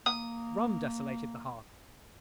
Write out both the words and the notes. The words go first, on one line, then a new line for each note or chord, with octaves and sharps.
Rum desolated the hearth.
A#3 D#6